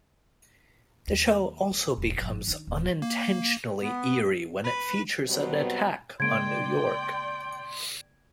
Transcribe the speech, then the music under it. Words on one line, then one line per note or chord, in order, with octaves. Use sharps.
The show also becomes unintentionally eerie when it features an attack on New York.
D#2
D2
E1 A#1
G1 F3
D#3 D4
D#1
A#3
B3
B4
B2 F#3 G3 B3 C4 B4
C#3 G#3 A#3 D5 G5 C6 G#6 D7